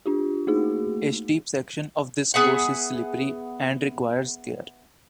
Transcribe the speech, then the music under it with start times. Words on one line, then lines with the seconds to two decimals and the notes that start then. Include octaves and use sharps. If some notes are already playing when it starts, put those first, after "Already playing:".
A steep section of this course is slippery and requires care.
0.06 D4 F4 G4
0.47 A3 A#3 D#4 F#4 G#4
2.34 B3 G#4 E5 F#5